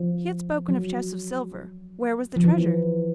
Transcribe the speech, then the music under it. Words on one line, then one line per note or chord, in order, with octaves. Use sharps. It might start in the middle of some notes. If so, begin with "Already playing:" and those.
He had spoken of chests of silver--where was the treasure?
Already playing: F3
F#3
F3
E3